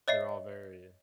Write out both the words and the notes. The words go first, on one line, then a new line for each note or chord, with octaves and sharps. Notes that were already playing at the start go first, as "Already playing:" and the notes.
They're all very
C#5 D#5 E5 C7